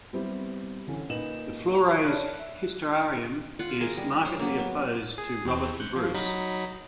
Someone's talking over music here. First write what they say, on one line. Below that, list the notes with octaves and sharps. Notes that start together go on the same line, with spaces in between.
The Flores Historiarum is markedly opposed to Robert the Bruce.
G3 B3 C4 E4
D3 E3 C#4
A#2 D#4 B4 E7 F#7
F7
C#5 D5 A5 B5 F6 F#6
E5
F4 F#5
G#4 A#4 D#5
G3
C5 C#5
F#3 A#3
B3
G#4
E2 C4
F#6 G6 C#7
F3
F#3 D#4 B5